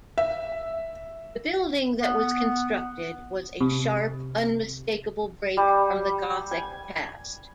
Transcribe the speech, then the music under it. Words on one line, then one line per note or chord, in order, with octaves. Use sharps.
The building that was constructed was a sharp, unmistakable break from the Gothic past.
E5
B3
C3
G3
G#5